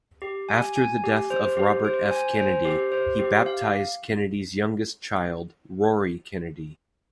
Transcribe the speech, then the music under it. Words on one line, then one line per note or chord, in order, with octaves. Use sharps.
After the death of Robert F. Kennedy, he baptized Kennedy's youngest child, Rory Kennedy.
G4
G#5
G#5
G4
C5
G4
C5
G#5
C5
G4
C5
G4
F5